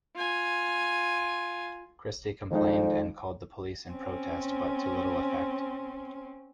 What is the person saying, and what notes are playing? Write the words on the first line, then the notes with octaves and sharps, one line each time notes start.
Christie complained and called the police in protest but to little effect.
F4 G#5
F2 D#3 G#3 D#4
C4 C#4